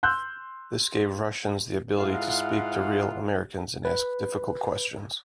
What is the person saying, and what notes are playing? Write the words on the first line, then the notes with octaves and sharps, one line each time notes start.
This gave Russians the ability to speak to real Americans and ask difficult questions.
C6 E6 F#6 G6
G#2 E4 F4 F5 F#5
B4